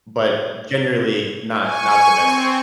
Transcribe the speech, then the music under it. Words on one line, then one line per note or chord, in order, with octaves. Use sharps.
but generally not not the best thing.
G#5 C#6
C4